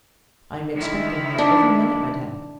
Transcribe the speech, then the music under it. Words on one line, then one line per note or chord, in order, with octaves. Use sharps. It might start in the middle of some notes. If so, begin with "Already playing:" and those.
I am expecting her every minute, madame.
D3 D#3 E4
D4